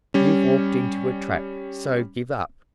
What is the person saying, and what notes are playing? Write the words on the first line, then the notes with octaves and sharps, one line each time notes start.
"You've walked into a trap, so give up."
G3 C#4